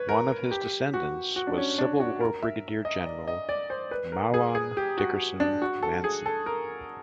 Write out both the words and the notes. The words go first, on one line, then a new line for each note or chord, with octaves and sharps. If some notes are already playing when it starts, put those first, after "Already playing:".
One of his descendants was Civil War Brigadier General Mahlon Dickerson Manson.
Already playing: B4 C#5
A#4
G4
F#4
F#4
D4
C#4
D4
F#4
A#4
E5
D#5
D5
D#5
D5
C5
B4
A#4
G#4
G#4
G4
F#4
D4
F#4
A4
G#4
A4
A#4